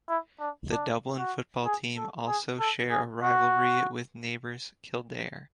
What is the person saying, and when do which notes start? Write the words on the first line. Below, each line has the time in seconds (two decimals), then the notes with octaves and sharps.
The Dublin football team also share a rivalry with neighbours Kildare.
0.09 E4
0.40 D4
0.72 D4
1.18 F#4
1.65 G#4
1.97 A4
2.28 G#4
2.60 A4
2.91 G#4
3.23 F#4